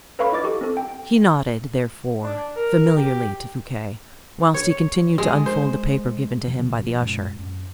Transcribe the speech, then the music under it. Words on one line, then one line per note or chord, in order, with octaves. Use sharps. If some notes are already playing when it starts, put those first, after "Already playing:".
He nodded, therefore, familiarly to Fouquet, whilst he continued to unfold the paper given to him by the usher.
A4 B4 C#5 F5 B5 C#6
E4 D#5 D6 A6
G4 A4 C#6
C4 A4
G5
D4
A#4
G4
C#5
G#3
C5
D#2 C3 E3 F#3
A#1 B2
C#2 F#2 A#2 G#3
F#2